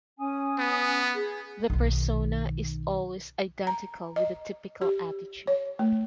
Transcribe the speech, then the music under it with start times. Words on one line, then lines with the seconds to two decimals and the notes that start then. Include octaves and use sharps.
The persona is always identical with a typical attitude.
0.18 C#4 G#5 D#6
0.58 B3
1.13 G#4
1.70 B1 D#3
3.67 A#5
4.16 D#5
4.82 G4
5.47 C#5
5.79 A3